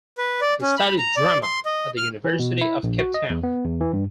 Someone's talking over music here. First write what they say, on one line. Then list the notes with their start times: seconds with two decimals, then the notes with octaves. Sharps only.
He studied drama at the University of Cape Town.
0.18 B4
0.41 D5
0.62 C#4
0.78 B5
0.98 A#5
1.16 D5
1.43 C6
1.65 D#5
1.97 F6
2.24 E3
2.39 B2
2.61 E4
2.83 A#1
2.99 F#4
3.14 D#5
3.30 E2
3.43 B3
3.65 E2
3.80 E3
3.93 G2